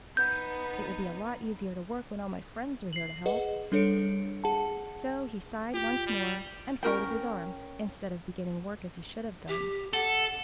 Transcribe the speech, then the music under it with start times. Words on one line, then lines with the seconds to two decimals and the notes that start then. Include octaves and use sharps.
It will be a lot easier to work when all my friends are here to help,' So he sighed once more and folded his arms, instead of beginning work as he should have done.
0.17 B3 D#4 G6
2.93 C7 F#7
3.26 G#4 B4 D#5 F#5
3.72 G3 D4 A4 C#5 C#7 D7
4.44 G#4 F#5 A5
5.74 F4 G4
6.07 G3
6.83 C#4 F#4 A#4 G5
9.48 G4
9.93 A4 F#5